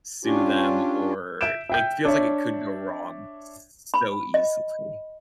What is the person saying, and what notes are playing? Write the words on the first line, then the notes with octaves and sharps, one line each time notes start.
sue them, or it feels like it could go wrong so easily.
C#4 D4 F4 G4
E5 G6 D7 E7
E5 G5 G6
D4 C#5 E5
B5
D#5